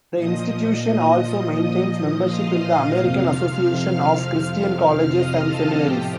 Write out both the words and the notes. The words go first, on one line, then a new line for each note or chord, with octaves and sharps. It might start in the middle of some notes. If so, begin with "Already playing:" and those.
The institution also maintains membership in the American Association of Christian Colleges and Seminaries.
A#2 F3 D#5 D#6
D#5 D#6
F5 F6
F2 C3 F3
F5 F6
D#5 D#6
A4 A5
A2 F3 G4 G5